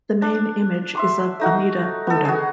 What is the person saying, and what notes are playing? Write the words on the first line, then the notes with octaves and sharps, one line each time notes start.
The main image is of Amida Buddha.
D4
E5 C6 D6
A3 D#4 F#4
B3 A4
F#4 G#4